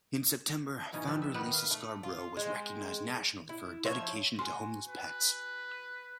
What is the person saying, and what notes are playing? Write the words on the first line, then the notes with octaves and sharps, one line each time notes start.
In September, founder Lisa Scarbrough was recognized nationally for her dedication to homeless pets.
B2 E3 C#4 D#4
F3 D4 G4 A4 B4
E5
D#3 B3 D#4 G4 B4 F#5
B4 F5
A3
F4
G#3 C4
E4
F3 C#5 E5
F#4 G#5 C6
B4